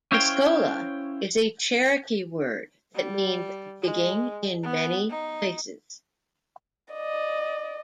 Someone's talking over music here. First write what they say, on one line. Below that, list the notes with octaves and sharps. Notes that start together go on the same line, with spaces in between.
Tuscola is a Cherokee word that means "Digging in Many Places".
C#4 E4 C5 C#5 F5 G5
G3
G#3
B3
D#4
D5 D#5